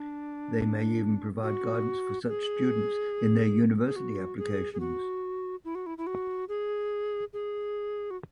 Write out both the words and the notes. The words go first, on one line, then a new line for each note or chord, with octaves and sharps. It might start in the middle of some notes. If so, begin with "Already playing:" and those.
They may even provide guidance for such students in their university applications.
Already playing: D4
F#4
G#4
G#4
F#4
G#4
G#4
F#4
E4
F#4
E4
E4
F#4
G#4
G#4
F#4